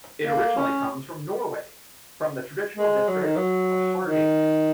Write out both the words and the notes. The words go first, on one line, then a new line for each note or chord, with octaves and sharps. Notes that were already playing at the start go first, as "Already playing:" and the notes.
It originally comes from Norway, from the traditional district of Hardanger.
A#3
C#4
G#3
F#3
D#3
F#3
D#3